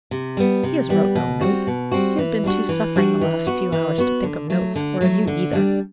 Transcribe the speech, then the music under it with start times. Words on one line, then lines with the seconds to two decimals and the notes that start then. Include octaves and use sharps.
He has wrote no note; he has been too suffering the last few hours to think of notes, or of you either.
0.11 C3
0.37 G3 B3
0.63 C3
0.89 G3 B3
1.15 B2
1.41 G3 C4 F#4
1.67 B2
1.92 G3 C4 F#4
2.19 E3
2.44 G3 D4 F#4
2.69 E3
2.96 G3 D4 F#4
3.21 E3
3.47 B3 F#4
3.72 E3
3.98 B3 F#4
4.24 D3
4.50 F#3 A3
4.76 D3
5.01 F#3 A3
5.27 D3
5.53 G3 D4